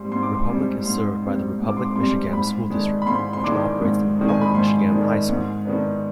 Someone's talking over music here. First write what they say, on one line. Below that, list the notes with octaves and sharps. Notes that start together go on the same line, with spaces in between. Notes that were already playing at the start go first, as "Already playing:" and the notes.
Republic is served by the Republic-Michigamme School District, which operates the Republic-Michigamme High School.
Already playing: G#2 G3 C4 C6
G#2 C6
D6
C6
G3 C4
G#2 C6
G3 C4
G#2
D6
C6
D6
G3 C4 C6
G#2 B5
D#3 G#3 D4
B5
G#2 C6
C6
D#3 G#3 D4 D6
G#2
D#3 G#3 D4
G#5
B5
G#2 C6
D#3 G#3 D4
G#2
D#3 B3 D4